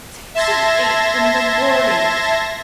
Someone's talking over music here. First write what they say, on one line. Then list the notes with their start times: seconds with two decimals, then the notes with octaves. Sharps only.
Six and eight in the morning!
0.35 E5 A5 C6 G#6 A#6